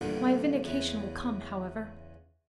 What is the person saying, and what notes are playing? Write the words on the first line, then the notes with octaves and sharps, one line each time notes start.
My vindication will come, however.
A#1 E2 A#2 D3 D#3 G3
E2 C#3 E3